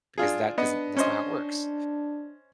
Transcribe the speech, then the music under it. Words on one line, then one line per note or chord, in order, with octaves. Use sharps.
because that doesn't that's not how it works.
D4 F4 G#4
B3 D4 D#5
C#4 C5 D#5